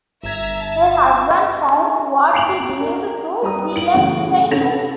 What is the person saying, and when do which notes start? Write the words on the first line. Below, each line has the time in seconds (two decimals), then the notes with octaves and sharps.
Her husband found what he believed to be a suicide note.
0.23 G1 E5 A#5 G#6
0.59 A5
2.33 G5 C7 D7 F7 F#7
2.80 A#4
3.43 G3 B4 G5 A#5 D#6
3.76 D7 F#7
3.94 A2 C#3 E3 F#3
4.50 C3 C#4 A4 A#6 F7